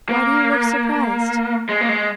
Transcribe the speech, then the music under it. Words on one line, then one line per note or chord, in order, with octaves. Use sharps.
Why do you look surprised?
A#3
G#3
A#3
G#3